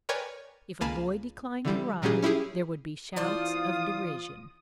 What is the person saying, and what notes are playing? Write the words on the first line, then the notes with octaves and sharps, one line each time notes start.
If a boy declined to ride, there would be shouts of derision.
A#4 B4 C#5 D5 G5 G#5
C#2 A#3 G#5 A5 B5 F6
D3 E3 G3
A#2 F#3 G3 C#4 G4 G#4
C#4 E4 G4 G#4
E3 F4 C5 D5 A5 D#6